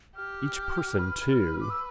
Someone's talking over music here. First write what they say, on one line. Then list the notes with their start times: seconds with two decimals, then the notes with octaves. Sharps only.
Each person too.
0.16 G4 F6
0.99 B4
1.61 D6
1.70 E6